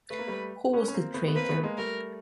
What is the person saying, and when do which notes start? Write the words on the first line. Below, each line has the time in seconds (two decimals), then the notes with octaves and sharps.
Who was the traitor?
0.10 A3 B4
0.19 A#3
0.27 G3 A3
0.73 B3 C#4
0.88 C#4
0.94 A#3 C4
1.14 A3 B3
1.28 B3
1.35 A#3 C4 B4
1.49 A3 B3
1.63 G#3 A#3
1.78 G3 A3 A#4